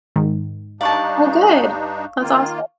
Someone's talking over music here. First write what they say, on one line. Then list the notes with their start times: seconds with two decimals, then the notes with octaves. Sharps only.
Oh, good, that's awesome.
0.16 G#2 D#3
0.81 G2 D4 D#4 D5 F5 A5 C#6
2.21 D#3 A#3 F4